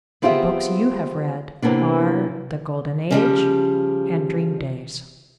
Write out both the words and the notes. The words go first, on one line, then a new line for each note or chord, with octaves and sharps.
The books you have read are The Golden Age. and Dream Days.
B3 C4 F4 G4 G#4 E5
C3 E3 G#3 A#3 B3 D4
C#3 F3 G3